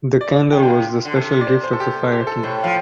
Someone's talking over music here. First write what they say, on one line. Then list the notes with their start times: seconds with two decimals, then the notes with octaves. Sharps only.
The candle was the special gift of the Fire King.
0.21 D5
0.52 C3 G5
0.62 D3 G5
0.68 F5
0.73 C3
1.05 D3
1.16 C3 A4
1.41 D5
1.47 C5
1.64 C5
1.73 A4
1.80 G4
2.03 A4
2.12 G4
2.20 C5
2.27 A4
2.43 A2 C5
2.63 F3 F5